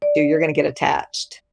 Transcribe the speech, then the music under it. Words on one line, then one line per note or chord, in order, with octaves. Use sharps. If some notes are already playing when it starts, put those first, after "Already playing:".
you you're gonna get attached.
D5